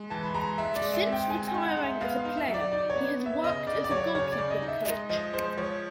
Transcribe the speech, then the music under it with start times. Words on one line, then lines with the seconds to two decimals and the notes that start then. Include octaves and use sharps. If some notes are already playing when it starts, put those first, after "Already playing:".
Since retiring as a player he has worked as a goalkeeping coach.
Already playing: G#3
0.10 E3 A5
0.23 B5
0.34 G#3 A#5
0.58 G#3 E5
0.76 D5
0.82 G#3
0.94 E5
1.06 C4
1.13 G5
1.29 G#3 G#5
1.47 G5
1.54 D#4
1.65 F#5
1.77 G#3
1.83 E5
2.01 B3 F5
2.19 F5
2.25 D#4
2.37 E5
2.48 F#3
2.54 D5
2.72 D#4 D5
2.90 C#5
2.95 B3
3.20 B3
3.26 E5
3.43 C#3 D#5
3.67 C#3 D5
3.84 D5
3.91 F#3 C#5
4.15 C#3 C#5
4.32 D5
4.38 C#3
4.50 D#5
4.62 D#4
4.68 E5
4.86 G#3 D#5
5.09 F3 D#5
5.33 G#3 C5
5.58 F3 C#5